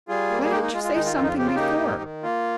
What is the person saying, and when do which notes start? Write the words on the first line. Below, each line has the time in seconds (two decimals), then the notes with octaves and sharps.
Why didn't you say something before?
0.08 G3 F4 G#4
0.30 A#3
0.45 G#4
0.51 G#3 D#4 G4
0.63 D#4
0.73 G#3 F4
0.84 F4
0.94 D#3 D#4
1.06 F4
1.16 F2 F4
1.23 D#4
1.27 F4
1.38 C#3 G4
1.46 F4
1.55 A#3 D#4 G4
1.80 G#2
2.02 D#3
2.23 A#3 F4